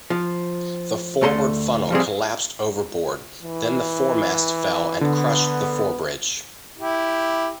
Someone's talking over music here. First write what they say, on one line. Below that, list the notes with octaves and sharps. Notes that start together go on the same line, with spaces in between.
The forward funnel collapsed overboard, then the foremast fell and crushed the fore-bridge.
F3
D2 A3 A4 A#5 C6
F3 G3 C4 G#4
E3
D3 B3
E4 G4